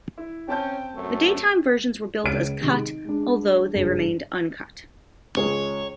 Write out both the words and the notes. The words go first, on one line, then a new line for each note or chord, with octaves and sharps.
The daytime versions were billed as 'cut', although, they remained uncut.
E4
C4 C#4 G5 A5 G6
F#2 A3
C#2 C#5 D7
C3 D#3 G#3
D#4
G#3 D4
F#1 G2 D4 G#4
C#2 G#3 G#4 C#5